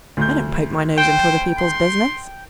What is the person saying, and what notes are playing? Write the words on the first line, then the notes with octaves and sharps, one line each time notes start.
I don't poke my nose into other people's business.
D2 G6
C5 G5
C6